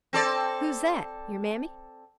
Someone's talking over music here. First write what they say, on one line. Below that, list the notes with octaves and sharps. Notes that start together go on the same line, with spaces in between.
"Who's that--your Mammy?"
C4 A4 D5